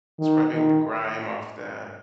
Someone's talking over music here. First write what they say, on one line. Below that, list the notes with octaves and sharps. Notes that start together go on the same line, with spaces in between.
scrubbing the grime off the
D#3
D#3